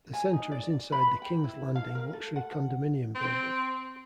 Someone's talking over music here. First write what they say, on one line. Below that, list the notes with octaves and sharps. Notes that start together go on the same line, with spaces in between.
The centre is inside the King's Landing luxury condominium building.
G#5
D#4
D5
B5
B4
G5
E4
F5
A#4
A4
F#5
C4